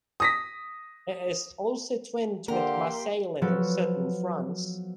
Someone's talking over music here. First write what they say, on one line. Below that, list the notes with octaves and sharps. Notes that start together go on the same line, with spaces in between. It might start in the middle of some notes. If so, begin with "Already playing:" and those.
It is also twinned with Marseillan in southern France.
D#6 A#6 B6
D3 A#3 G4 A#4 C6
F3 F#3 B3 F#4 A4